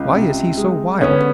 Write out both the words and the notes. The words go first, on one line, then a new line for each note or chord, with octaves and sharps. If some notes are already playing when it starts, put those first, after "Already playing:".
"Why is he so wild?"
Already playing: C#2
C3
G#3
D3 B3 C#4